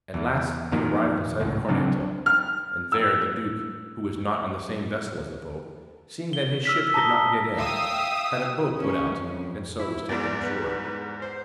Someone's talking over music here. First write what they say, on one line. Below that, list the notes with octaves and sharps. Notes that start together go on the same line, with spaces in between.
At last they arrived in sight of Corneto, and there the duke, who was not on the same vessel as the pope, seeing that his ship could not get in, had a boat put out, and so was taken ashore.
E2
F2 A#2 D#3
G#1 C#2 A2
C#3 F#3 C4 D4
F6
E6
G7
E6 F6 B6
A5 A#5 D#6 A#6 G7
E5 F5 G5 D#6 E6
C#4
F2
E4
E2 G#2 D5
B4
C5